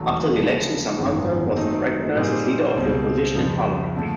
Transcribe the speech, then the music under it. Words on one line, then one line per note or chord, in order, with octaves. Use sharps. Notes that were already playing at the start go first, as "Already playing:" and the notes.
After the election Sampanthan was recognised as Leader of the Opposition in parliament.
Already playing: E1 D#2 D3 F#3 A3
C#3 F3 G#3
G#1 F#2 D#3 G#3 B3
D#3 F#3 A3 C4 D#4
A#2 G3 C4 D#4 G#4
C#2 B2 G3 C4
F2 C#3 F3
D3 F3 A3